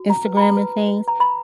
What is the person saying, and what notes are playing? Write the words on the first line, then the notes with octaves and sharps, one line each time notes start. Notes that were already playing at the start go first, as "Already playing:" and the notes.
Instagram, and things,
Already playing: F#4
A#5
B4
B5
A#5
B4
B4
A#5
B4 B5